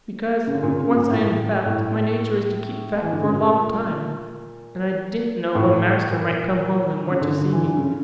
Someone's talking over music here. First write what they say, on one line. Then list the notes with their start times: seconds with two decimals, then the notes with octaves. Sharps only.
"Because once I am fat, my nature is to keep fat for a long time; and I didn't know when master might come home and want to see me."
0.47 C#3
0.55 D3
0.63 A#2
0.68 C#3
0.82 C#3
0.96 A#2
1.10 A2
1.66 A2
3.02 E3
3.12 D3
3.22 C#3
3.32 A#2
5.55 A2
6.11 A#2
7.10 C#3
7.21 D3
7.39 F3
7.52 E3
7.65 D3
7.77 C#3